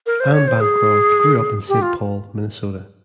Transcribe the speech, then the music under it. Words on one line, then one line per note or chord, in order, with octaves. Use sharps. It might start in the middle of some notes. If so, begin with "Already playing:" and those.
Ann Bancroft grew up in Saint Paul, Minnesota.
A#4
C5
C#5
C5
G#4
G4
F4